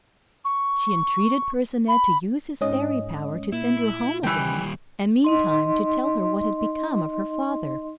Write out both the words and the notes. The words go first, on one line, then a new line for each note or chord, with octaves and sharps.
She entreated Percinet to use his fairy power to send her home again, and meantime to tell her what had become of her father.
C#6
B5
G#2 C#4 D#5
A#2 E4
D#2 E3 G3 G5
D#4 D#5 C6